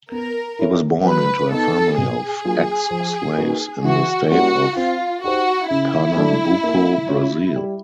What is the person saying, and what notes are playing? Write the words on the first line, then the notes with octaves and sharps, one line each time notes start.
He was born into a family of ex-slaves in the state of Pernambuco, Brazil.
B3 A#4
E4 A4 C#5
F#3 B4
B3 D#4 A4
B2 G#4
F#3 A#3 D4 F4
F3
A#3 D#4 F#4 B4
E3 F#4
G3 A#3 C#4 E4 F#4
C4 F4
D#4 F#4 G4 C5
C#3 E4
F#3 A3 D4
A#3
C#4 F4
G3